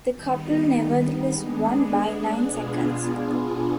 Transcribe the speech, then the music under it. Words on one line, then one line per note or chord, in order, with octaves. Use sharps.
The couple nevertheless won by nine seconds.
D#3 G3 B3 D#4
G#3 B3 D4 G#4
B2 B3 D4 F4 G#4